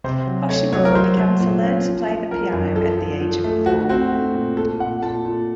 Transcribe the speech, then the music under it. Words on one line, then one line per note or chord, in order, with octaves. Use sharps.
Hoshimura began to learn to play the piano at the age of four.
C3 C5
F#3
A3 C#5
F#3 C#5
A#4
F#3 C5
F#3
A#2
C#4
F3
F3
F3 A#4
F#2
F3 A4
F3
F3
A3
A3 F#4
C4 F#4
A3
A#2
A#2 A4
A#2 F#5
A#2 A5
A#2